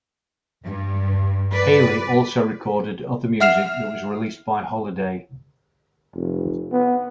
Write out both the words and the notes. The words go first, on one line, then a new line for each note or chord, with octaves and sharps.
Haley also recorded other music that was released by Holiday.
G2
B4 D5
E5 F#5 F6 C7 E7 F7
F1
B3